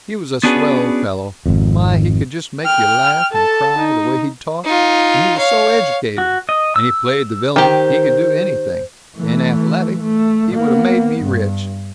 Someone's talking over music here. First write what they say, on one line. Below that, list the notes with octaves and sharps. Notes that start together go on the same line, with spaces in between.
He was a swell fellow; my, he could just make you laugh and cry, the way he talked; and he was so educated, and he played the vi'lin--he could do anything--and athaletic--he would have made me rich.
B3 C#4 D4 F#4 G#4 B4
G#1 F2
G5 F6
A4 A5
D#4
D#4 F4
C#5 F5
F#4
D#5
E6
D#3 G4 C5
E3 A3
A3
A#3 B3
G2